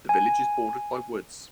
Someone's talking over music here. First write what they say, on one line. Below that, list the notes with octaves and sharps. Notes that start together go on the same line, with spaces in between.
The village is bordered by woods.
G#5